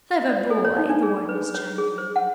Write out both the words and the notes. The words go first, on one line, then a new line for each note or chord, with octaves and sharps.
"Clever boy!", the Wardeness chimed in.
D5
A4
C#5
D#4
D4
G#4
B4
C#5
G#4
C5
F#5